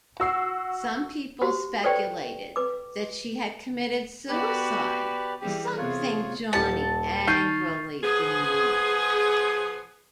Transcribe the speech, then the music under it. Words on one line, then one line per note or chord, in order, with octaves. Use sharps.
Some people speculated that she had committed suicide, something Johnny angrily denied.
F#4 E6 C7
F#4 G4 C5
A4 B4 C5 D5 G5 C#6
B4 D6
B3 F#4 G4 B4 D5
E3 G3 G4 G#4
E2 C3 F4 G#4 C#5
D#1 G4 A5 C#7
D#3 C#6 F6 G6 A6 C7 D#7
F3 B3 G#4